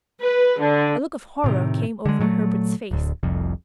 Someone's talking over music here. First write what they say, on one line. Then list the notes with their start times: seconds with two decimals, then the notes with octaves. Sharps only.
A look of horror came over Herbert's face.
0.21 B4
0.60 D3
1.44 A2 C3 D#3
2.05 D3 G#3
2.19 A#2 F#3 G3 A3
2.91 D1 D2
3.23 F1 C2 F2